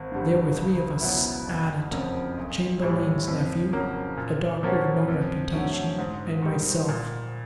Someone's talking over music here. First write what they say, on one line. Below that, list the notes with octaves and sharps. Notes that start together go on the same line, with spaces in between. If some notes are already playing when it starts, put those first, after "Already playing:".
There were three of us at it: Chamberlayne's nephew; a doctor of no reputation; and myself.
Already playing: G#1
G2 D3 G3
C#2
B2 F#3 B3 E4
F#1
F2 C#3 F3 A#3
B1
A2 E3 G3
F2
C#3 F#3 A#3
A#2
F3 A#3 C#4 F#4
F2
D3 F#3 A3 C#4
G#2
D#3 G3
A#2